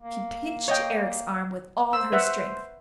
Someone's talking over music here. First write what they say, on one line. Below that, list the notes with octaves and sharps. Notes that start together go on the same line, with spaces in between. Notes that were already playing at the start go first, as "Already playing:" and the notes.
She pinched Eric's arm with all her strength.
A#3
C#5 D#5 G5
C5 E6
B4 E5 F#5